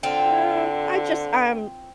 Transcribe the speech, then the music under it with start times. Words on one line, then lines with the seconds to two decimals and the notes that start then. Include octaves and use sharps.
Um I just um,
0.03 D3 C4 F4